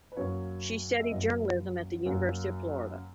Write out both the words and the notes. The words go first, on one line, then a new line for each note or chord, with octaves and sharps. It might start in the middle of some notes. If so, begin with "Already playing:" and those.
She studied journalism at the University of Florida.
B4
F#2 C#3 F#3 A#3 C#5
E5
F#2 C#3 F#3 A#3 D#5
F#2 C#3 F#3 A#3